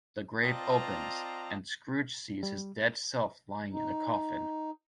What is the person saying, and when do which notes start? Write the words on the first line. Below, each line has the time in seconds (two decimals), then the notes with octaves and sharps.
The grave opens, and Scrooge sees his dead self lying in a coffin.
0.44 C4 F4 D5 D#5 A5 A#5
2.43 G3
3.73 D#4